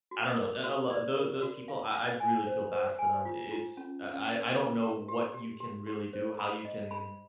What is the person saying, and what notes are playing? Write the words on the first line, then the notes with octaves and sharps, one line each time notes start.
I don't know, a a l tho those people I I really feel bad for them. I it's I I I don't know what you can really do, how you can,
F#4
A#4
F#4
D5
A#4
F#4
F5
F5
G#5
C5
C5
G#5
F4
F4
C#4
C#4
A#4
A#4
G4
G4
G4
G4
G4
C5
B5
D#5
B5